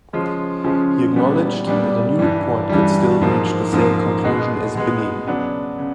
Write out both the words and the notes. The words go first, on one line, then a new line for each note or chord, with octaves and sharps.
He acknowledged that a new report could still reach the same conclusion as Binnie.
C#3 F3 G#3 C#4 F4
C#3 F3 G#3 C#4 F4
A#2 G3 B3 D4
A#2 G3 B3 D4
G2 E3 G3
G2 E3 G3
G#2 F3 A#3
G#2 F3 A#3
B2 G#3 B3
B2 G#3 B3
C#3 F#3 B3 D4
C#3